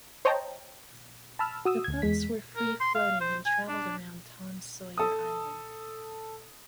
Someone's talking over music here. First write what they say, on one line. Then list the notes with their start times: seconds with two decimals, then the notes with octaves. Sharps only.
The boats were free-floating and traveled around Tom Sawyer Island.
0.25 C5 C#5 D#5 G5 A5 A#5
1.39 A5 B5 E6 F6
1.65 F#4 D#6 E6
1.84 D2 G#6
2.02 E2 G#3 B6
2.56 A#4
2.81 C6
2.95 F5
3.20 C5
3.46 G#5
3.69 D4
4.97 A4 D#6